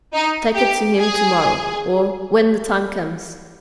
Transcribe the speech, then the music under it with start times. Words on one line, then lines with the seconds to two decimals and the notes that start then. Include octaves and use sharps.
Take it to him to-morrow or... when the time comes.
0.14 D#4
0.55 G4
0.97 G#4